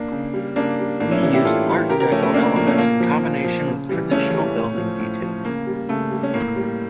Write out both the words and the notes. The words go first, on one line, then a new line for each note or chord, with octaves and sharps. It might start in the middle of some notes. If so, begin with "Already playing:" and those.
Lee used Art Deco elements in combination with traditional building detailing.
Already playing: A#3 D4
C#3
G3
C#3 A#3 D4
G3
A2 A#3 D4
C#4 E4
E3 G3 C#4 E4
E4 G4
A2 F4 A4
E3 G3
C#3 G4 A#4
G4 A#4
F3 A3 C#4
A3 C#4
C#3 A#3 D4
F3 A#3
A3 C#4
A#2 A#3
F3
A#2
F3
C#3
E3 G3
C#3 A3 C#4
E3 G3
A2
F3
A2
F3
C#3 A#3
G3
C#3 A3
G3
C#4
A2 A#3
G3